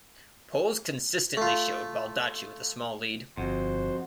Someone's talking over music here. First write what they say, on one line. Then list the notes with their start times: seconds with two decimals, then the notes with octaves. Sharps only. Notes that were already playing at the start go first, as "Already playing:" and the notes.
Polls consistently showed Baldacci with a small lead.
1.37 A3 F4
3.37 G1 F2 F#4 C5